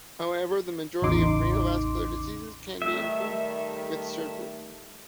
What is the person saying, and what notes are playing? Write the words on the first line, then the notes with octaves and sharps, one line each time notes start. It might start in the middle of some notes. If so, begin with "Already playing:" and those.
However, the majority of renovascular diseases can be improved with surgery.
A1 E2 C#3 D#4 C6 D6
D#3 G3 A3 E5